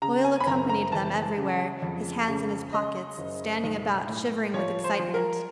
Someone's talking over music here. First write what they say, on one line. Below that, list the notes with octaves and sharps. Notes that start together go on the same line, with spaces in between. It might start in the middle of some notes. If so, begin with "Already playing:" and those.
Hoyle accompanied them everywhere, his hands in his pockets, standing about, shivering with excitement.
C#3 A#5
G#5
B5
F#1 A#5
A#5
E3 A5
C#3
F2
C#3
C#3 D#5
F#1
B1
A2
F3 C#5
C5
F3
A#4